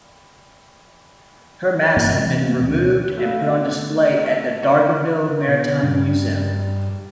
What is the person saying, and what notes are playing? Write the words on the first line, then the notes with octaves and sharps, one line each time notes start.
Her masts had been removed and put on display at the Dargaville Maritime Museum.
G2 E3 A#3 C4
C3 E3 G3 G#3
A3 A#3
D2 B2 E3
G2 B2 A3 F5
A4
A#3 F#4
B2
G2